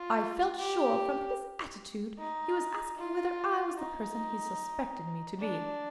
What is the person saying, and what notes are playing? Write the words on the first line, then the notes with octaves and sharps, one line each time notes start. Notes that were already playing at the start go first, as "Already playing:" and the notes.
I felt sure, from his attitude, he was asking whether I was the person he suspected me to be.
Already playing: F4
G4
D#4
F4
D#4
D4